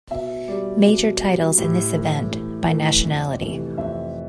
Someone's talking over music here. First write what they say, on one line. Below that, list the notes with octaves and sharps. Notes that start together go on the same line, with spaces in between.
Major titles in this event, by nationality.
B2 E5
G3 D5
B2
G3
A2 G4
E3 A3
A2
E3 A3
F2
C3 E3 A3
F2 E5